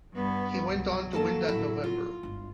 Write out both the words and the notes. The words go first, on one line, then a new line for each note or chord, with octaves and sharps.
He went on to win that November.
G2 B3
C2 B2 F#3
F#2 A#3 A4 A5
A2 B3 E4
F4
G1 G#3